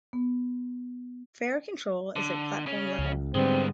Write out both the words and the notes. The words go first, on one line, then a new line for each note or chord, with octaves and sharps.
Fare control is at platform level.
B3
D3
C#3 C#4
C#2
G#2 D3 G3 G#3 B3 C4